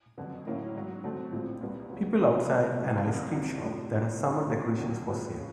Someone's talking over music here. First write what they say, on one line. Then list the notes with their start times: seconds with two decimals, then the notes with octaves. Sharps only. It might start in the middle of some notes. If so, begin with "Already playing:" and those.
People outside an ice cream shop that has summer decorations for sale.
0.18 F#1 F2 D3 F#3 B3
0.46 A2 F#3 A#3 C#4 E4
0.75 G#2 D#3 F#3
1.04 D3 F#3 A3 C4
1.32 A#1 A2 F3 G#3 C4
1.61 C2 A#2 G3 B3
1.90 E2 C#3 F#3 B3
2.18 C#3 E3 G#3 C4 D#4
2.48 A2 E3 G3 B3
2.76 G2 E3 A3
3.05 G#1 F#2 D3 G3 A#3
3.34 C2 C3 E3
3.63 A2 F3 A3 D4
3.91 G1 G2 E3
4.20 B1 B2 G3 B3 D4
4.48 F2 C3 F3 A3
4.77 D#2 D3 F#3 A#3
5.06 A2 F3 G#3 B3
5.37 C#3